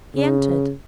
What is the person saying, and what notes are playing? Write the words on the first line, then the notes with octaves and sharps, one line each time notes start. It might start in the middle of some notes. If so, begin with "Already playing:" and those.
He entered.
C#3